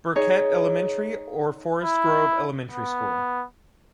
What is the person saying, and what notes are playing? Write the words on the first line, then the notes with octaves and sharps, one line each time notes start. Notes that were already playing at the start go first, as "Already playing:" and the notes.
Burkett Elementary or Forest Grove Elementary School.
D#4 G#4 C#5
E4
B3